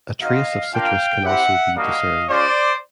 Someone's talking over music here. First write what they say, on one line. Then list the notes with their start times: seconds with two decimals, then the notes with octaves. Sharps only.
A trace of citrus can also be discerned.
0.21 C4 D#4 F#4 D#5 F5
0.73 A#3 D4 F4 F5 G5
1.24 C4 E4 G4 E5 F#5
1.75 G3 A#3 D4 F#4 D#5 F5
2.28 G#3 C#4 F4 C5 D5